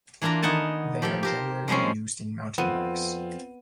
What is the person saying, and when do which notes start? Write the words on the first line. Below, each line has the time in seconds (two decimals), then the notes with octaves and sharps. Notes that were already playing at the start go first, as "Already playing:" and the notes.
They are generally used in mountain bikes.
0.22 E3 A#3 D4 F4 A#5
0.42 D#3 B3 D#4 F#5 G#5 A5
1.02 F3 G4 A4 G5
1.23 G4 A#4 C5
1.68 F3 G3 G#3 C4 C#4
2.58 F2 B3 C4 F4 D#7